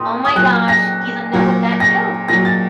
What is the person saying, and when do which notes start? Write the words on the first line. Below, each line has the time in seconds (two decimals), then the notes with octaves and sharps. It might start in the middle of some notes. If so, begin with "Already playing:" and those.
Oh my gosh. He's a nut with that too!
Already playing: A#2 C6 D#6
0.25 D#6
0.36 A#2 F#3 F#6
0.68 A#6
1.33 A#2 F#3
1.80 A#6
2.28 A#2 F#3 A#6
2.45 A6